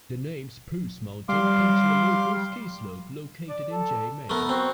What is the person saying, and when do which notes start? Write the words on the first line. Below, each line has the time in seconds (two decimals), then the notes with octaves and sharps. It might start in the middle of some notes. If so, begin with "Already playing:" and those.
The name "Spruce Mountain" comes from a local ski slope, located in Jay Maine.
1.29 G3 F5 C6 D6
3.49 D5
3.72 A4
4.30 A3 B3 A#4
4.49 C4 F#4